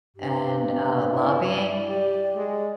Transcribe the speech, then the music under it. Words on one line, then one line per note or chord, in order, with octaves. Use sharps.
and, uh, lobbying.
G2 G4
E4 D5
G4
G#3